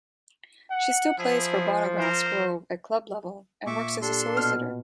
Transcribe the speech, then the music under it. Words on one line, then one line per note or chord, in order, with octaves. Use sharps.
She still plays for Bonagrass Grove at club level and works as a solicitor.
F#5
F3 E4 G#4
A#4 C5
A#2 E5 C#6 D6
D4 G4 A4 C6
B2 F6